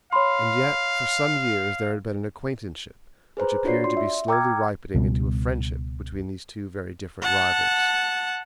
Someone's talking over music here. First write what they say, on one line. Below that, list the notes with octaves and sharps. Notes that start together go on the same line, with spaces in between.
And yet for some years there had been an acquaintanceship which appeared to be slowly ripening into a friendship between these two very different rivals.
C#5 F5 B5 C6
G#4 B4 C5 A#5
D4 F4 F#4 C#5 D5 C7
D5 C6
E5
G5 A#5 D6 E6 F6 G#6
C#2 B2 G3
F#5 A5